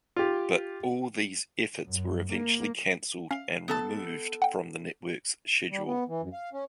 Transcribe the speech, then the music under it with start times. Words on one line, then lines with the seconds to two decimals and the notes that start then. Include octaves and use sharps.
But all these efforts were eventually canceled and removed from the network's schedule.
0.16 F4 G4
1.86 F#2
2.32 A#3
3.31 C#4 F5
3.68 B3 A4 A5
4.42 F#5 G5
5.70 G3
5.86 B3
6.08 E3
6.21 F#2
6.33 F5
6.53 C#4